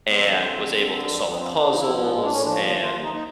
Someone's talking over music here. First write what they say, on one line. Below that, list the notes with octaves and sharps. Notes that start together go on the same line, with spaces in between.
and was able to solve puzzles, and
B3
F2 C4
D3
F2
D3
D3
D3
F2
F2
B3
F3 C4
F3 D4
F3 D#4
E4
F3
A2 B3
A2 G#3
D4
A2 C#4
F3 D4
D#2
D#2
F4
D#2
D#4
D#4